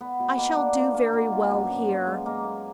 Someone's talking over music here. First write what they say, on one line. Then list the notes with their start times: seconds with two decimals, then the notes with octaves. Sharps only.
I shall do very well here.
0.01 B3
0.20 B2
0.38 A#3
0.57 D4
0.76 F4
0.94 A#3
1.13 B2
1.32 F4
1.51 F#2
1.70 F#2
1.89 F4
2.07 G#3
2.26 A#3
2.44 A#3